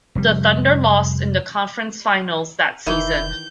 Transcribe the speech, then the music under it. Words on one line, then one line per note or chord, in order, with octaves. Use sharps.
The Thunder lost in the conference finals that season.
F1 G3
F1 D#3 E3 E4 G6